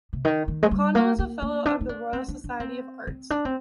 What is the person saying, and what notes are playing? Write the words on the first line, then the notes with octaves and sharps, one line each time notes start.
O'Connell is a Fellow of the Royal Society of Arts.
C3
D#3
D#3
G#3
G3
A#3
A#3
A#3
D4
D#4
D4
C4
D4
D4
C4
C4
D4
C4